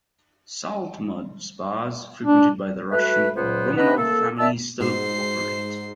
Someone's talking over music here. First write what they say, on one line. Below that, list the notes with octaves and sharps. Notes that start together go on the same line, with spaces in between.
Salt mud spas frequented by the Russian Romanov family still operate.
D4
A3 F#4 B4
C#2 A#2 F#3 B3 C5
B3 D4 D#4 B4 D#5
A#3 A4
D#3 D5 E5 A5 E6
G#2 F#4 C5 C7